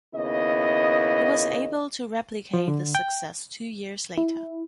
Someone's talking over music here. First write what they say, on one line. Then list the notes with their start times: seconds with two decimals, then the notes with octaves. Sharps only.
He was able to replicate this success two years later.
0.14 D#2 C#3 B3 E4 D#5
2.54 F3
2.68 D3
2.95 G5
4.18 E4